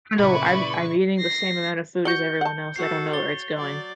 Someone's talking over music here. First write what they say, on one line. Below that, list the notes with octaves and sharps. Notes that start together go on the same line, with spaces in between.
I know I'm I'm eating the same amount of food as everyone else, I don't know where it's going.
A#2 C#3 E4 B4 D5 B5 C#6
A#6 C7
F#4 D5 G6 C#7 G7
F#5 A5
F#4 A4 C7
C#5 A6 G7
F#3 D5